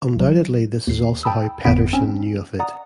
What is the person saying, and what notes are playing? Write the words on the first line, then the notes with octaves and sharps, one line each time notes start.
Undoubtedly this is also how Pedersen knew of it.
B1 F#3
D#2 C7
G5 A5 B5 D#6 E6
G1 F2 B3 B5 B6 D7
C4 C#4
D5 F#5 A#5 D#6